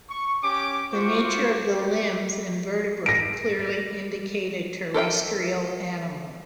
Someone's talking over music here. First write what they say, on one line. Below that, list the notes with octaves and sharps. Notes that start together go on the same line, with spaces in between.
The nature of the limbs and vertebrae clearly indicate a terrestrial animal.
C#6
C#4 G4 D6
F4 F#4 C5 C#6 D6
G4 D5
A#6 D7
A4 A#4 E5 G5